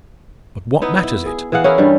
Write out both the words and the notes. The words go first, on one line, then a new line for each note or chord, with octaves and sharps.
But what matters it?
B3 D#4 E4
E4
G#4
E3 G#4 F5 F#5
C#4 E4 G#4 A#4
G2 G3